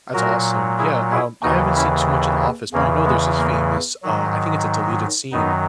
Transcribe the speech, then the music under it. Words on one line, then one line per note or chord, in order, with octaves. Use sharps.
That's awesome, yeah, um, I haven't seen too much of "The Office," but I know there's this famous, uh, I think it's a deleted scene
A#2 F#3 F#4 A#4
E4 G#4
E4 G#4
D#2 C#3 E3 D#4 F#4
C#4 E4
E2 C#3 E3 A#3 C#4
G#3 B3
A#3
G#2 D#3 F#3
F#2 D#3 F#3 B3 D#4